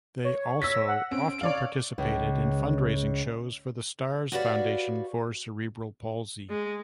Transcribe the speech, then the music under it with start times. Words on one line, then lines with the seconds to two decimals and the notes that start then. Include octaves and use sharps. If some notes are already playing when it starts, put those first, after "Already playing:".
They also often participated in fundraising shows for the Stars Foundation for Cerebral Palsy.
0.24 C#5
0.62 E6 A#6 B6
0.88 F#5
1.11 C4 C#4 D7
1.41 C#5 D5 F5
1.98 C#2
4.32 F#4 G4 B4 C#5 D5 F5
6.49 G#3